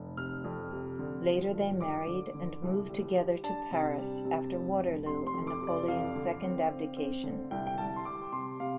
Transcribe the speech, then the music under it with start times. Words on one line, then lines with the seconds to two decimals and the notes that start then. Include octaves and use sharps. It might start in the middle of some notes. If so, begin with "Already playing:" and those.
Later they married and moved together to Paris after Waterloo and Napoleon's second abdication.
Already playing: F1
0.17 C3 F6
0.44 F2
0.71 C3
0.99 D3
1.26 F3
1.53 G2
1.80 D3 D6
2.07 D3
2.35 D3
2.62 C2
2.89 G3
3.16 G3
3.44 D4 A5
3.71 C3
3.97 G3
4.25 C3
4.52 F1
4.79 F1
5.06 C3 C6
5.27 C6
5.34 F2
5.47 D6
5.61 C3
5.67 D5
5.88 F2 F5
6.15 D3
6.42 C4
6.69 C4
6.97 C4
7.24 D3
7.51 C2 G5
7.67 G5
7.78 C2 A5
7.96 C6
8.05 G3 D6
8.32 C3 C6
8.60 C3 F5